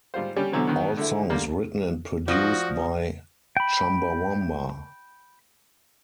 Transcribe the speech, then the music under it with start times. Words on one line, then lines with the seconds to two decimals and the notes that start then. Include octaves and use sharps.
All songs written and produced by Chumbawamba.
0.14 G#2 G3 F4 C5
0.36 G3 C#4 G4
0.52 B2 D3 E3 F#3 B3 C4
0.67 D#3 F#3 B3
0.97 D3 A3 E4
1.30 D3 G3 A#3
2.28 F3 F#4 D5 D#6 A#6
3.57 G5 B5